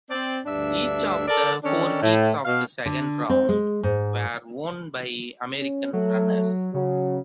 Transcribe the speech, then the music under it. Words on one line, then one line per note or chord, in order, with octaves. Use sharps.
Each of the four heats of the second round were won by American runners.
C4 D5
D2 G2 D4 E5
A4 A#4 D5
D#3 C#4 D4 A4
A2
B2 F5
D3
C4
G#3
G#2
C#4
F#3 A3
C#3 F#3